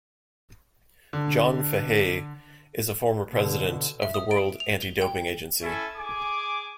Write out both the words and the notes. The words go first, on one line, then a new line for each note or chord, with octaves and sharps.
John Fahey is a former President of the World Anti-Doping Agency.
D3
B2 D3
E5
D#6
D7
F7
G7
G5
C#4 E4 A4 G#5
G#4 G#5 D6